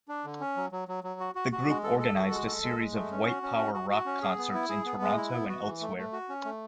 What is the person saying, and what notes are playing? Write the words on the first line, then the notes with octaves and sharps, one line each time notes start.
The group organized a series of white power rock concerts in Toronto and elsewhere.
D4
D3
C#4
F#3
F#3
F#3
F#3
F#4
F#4
F#4
G#3
A4
A4
F#4
G#3
A4
G#3
G#3
A3
C#4
F#4
C#4
F#4
F#4
F#4
C#4
G#4
B3
E4
G#4
B3
G#3
E4
B3
F#4
E3
A3
A3
F#4
C#4
A3